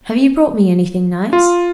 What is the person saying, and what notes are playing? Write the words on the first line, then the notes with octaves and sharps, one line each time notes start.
Have you brought me anything nice?'
F4